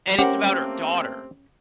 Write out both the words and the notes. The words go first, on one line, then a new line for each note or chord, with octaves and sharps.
and it's about her daughter.
A3 A#3 C4 C#4 G4 A#4 C5 F#5